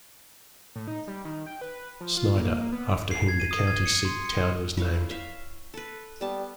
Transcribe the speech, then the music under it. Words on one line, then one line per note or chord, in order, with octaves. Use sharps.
Snyder, after whom the county seat town was named.
A2
D#4
G3
D#3
G5
B4
F3
F4
A#3
A#3
B3
C7
G#6
D#7
D#6
G#6
C#7
C6
C#7
E4 C#5 F5
E5 F5
A4 B4
G3 B3 A5